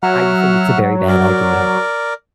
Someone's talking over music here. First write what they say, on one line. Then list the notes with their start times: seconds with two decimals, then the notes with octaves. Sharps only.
I just think it's a very bad idea.
0.03 F#3 E5 F#5 F6
1.08 A#4 D5